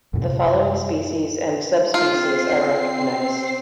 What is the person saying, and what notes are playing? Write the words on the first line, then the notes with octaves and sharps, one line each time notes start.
The following species and subspecies are recognized.
F#2 A2 C3
C4 F4 C7